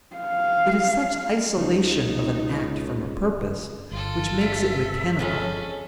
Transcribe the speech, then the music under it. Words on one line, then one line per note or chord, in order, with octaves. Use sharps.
It is such isolation of an act from a purpose which makes it mechanical.
F5
C#2 D#4
G1 F4 A4
C#3 E5
F2 G#3 C#4 A4 F5